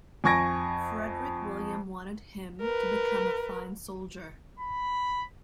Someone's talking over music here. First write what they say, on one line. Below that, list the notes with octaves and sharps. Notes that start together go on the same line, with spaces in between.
Frederick William wanted him to become a fine soldier.
F2 G#5 C#6 G#6 A#6 D7
A#4 B4
B5